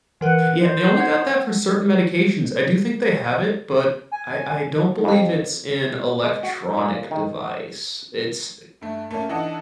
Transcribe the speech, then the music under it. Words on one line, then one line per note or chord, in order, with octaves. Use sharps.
Yeah, they only got that for certain medications. I do think they have it, but I I don't believe it's an electronic device. It's th
E3 A#4 B4 F#5
C5
F#5 G#6
G#5
F2
G#3
F#4
A#2
D#3
G2 A3
A3 A#3 C#4
E3 D4 D#4 A4 D#5 F#5